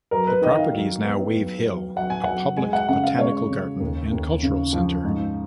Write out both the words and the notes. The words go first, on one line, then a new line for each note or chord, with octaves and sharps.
The property is now Wave Hill, a public botanical garden and cultural center.
F#3 A#4
B4
D#3 D#5
F5
F#3
B3
F#3
F#3
F#3 F#5
G#5
F#3 F#5
G#3 G#5
F#5
C#3 F#5
F5
G#3 C#5
C#3
D#2
D#2
C#3
F3
G#2